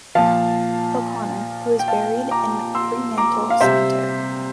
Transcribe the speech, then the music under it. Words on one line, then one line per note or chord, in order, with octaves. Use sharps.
O'Connor, who is buried in Fremantle Cemetery.
A#2 F3 F5 A5
G5
F5 A5
A#5 D6
C6 E6
A#5 D6
F5
C3 G3 C5 E5